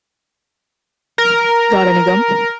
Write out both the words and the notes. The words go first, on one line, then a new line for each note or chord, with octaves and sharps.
Got Any Gum?
A#4